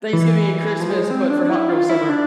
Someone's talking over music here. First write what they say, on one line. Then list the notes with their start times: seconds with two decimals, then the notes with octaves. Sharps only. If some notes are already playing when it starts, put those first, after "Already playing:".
Thanksgiving and Christmas, but for hot girl summer.
0.13 E3
0.80 F3
0.91 G#3
1.10 C4
1.30 D4
1.50 E4
1.70 F4
1.89 E4
2.09 D4